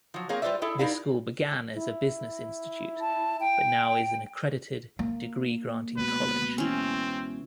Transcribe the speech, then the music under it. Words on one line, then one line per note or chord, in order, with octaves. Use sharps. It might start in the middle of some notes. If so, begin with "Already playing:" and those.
This school began as a business institute, but now is an accredited degree-granting college.
F3 F#3
A#3 C4 G#4 A#4 C#5 F5
G3 F4 B4 C5 D5 E5
E4 G#4 A4 E5
D#4 E4 G4 A#4 D5 F5
E4
A5
G5
A#3
C#2 B2 B4
E3 C4 C#4